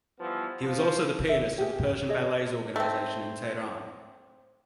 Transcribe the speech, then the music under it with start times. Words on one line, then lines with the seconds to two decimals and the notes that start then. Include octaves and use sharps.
He was also the pianist of the Persian Ballets Organization in Tehran.
0.20 E3 F3 G3 B3
0.63 F3
1.29 E5
1.58 G4 G#4 G5
2.09 G#4 C#5 D#5
2.76 A3 C4